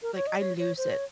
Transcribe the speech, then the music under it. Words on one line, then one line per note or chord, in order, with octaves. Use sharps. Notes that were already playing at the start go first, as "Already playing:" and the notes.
Like, I lose it.
A#4
C#5
D#5
C#5
C#5
C5
C#5